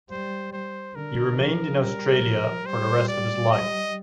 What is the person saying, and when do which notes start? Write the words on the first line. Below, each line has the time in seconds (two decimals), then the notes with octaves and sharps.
He remained in Australia for the rest of his life.
0.11 G3 C5
0.53 C5
0.95 D3 A#4
1.39 F3
1.81 G3 A#4
2.23 F3
2.66 G3 C5
3.08 D5
3.50 G3 D#5